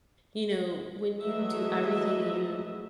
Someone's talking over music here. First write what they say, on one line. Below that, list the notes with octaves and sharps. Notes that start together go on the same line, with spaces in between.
you know, when you do everything you
E3 F#3 G#3 A3 D#5 E5